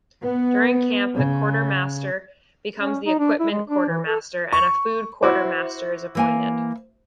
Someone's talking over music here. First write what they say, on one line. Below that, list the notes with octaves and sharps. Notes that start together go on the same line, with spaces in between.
During camp, the quartermaster becomes the equipment quartermaster, and a food quartermaster is appointed.
B3
C#3
C#4
D#4
D4
E4
G#3
D4
E3
A4
C#6
E4 F#4 C5 E5 D6
E3 A#3 G#5